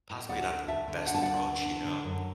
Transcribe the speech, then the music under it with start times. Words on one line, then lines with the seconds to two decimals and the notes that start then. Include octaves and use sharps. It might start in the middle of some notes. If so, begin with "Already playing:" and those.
possibly not the best approach, you know,
0.10 A2
0.29 D2 D5 F#5
0.49 D3
0.68 D2 E5 A5
0.88 D3
1.07 D4 F#5
1.15 A5
1.22 D2 D5 F#5
1.45 D3
1.65 D4
1.85 D3
2.04 F#2